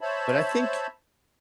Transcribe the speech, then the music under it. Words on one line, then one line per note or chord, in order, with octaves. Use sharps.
But I think
C5 C#5 E5 A5 B5